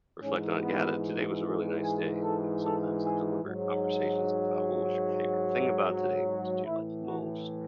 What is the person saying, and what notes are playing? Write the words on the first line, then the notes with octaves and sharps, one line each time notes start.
reflect on it, "Yeah, today was a really nice day," and you know, sometimes the deliberate conversations about what was your favorite thing about today, what did you like the most,
G#2 E3 C#4
B3
G#4
A4
A4
G#4
G#2 F#3
A2 E3 E4
F#4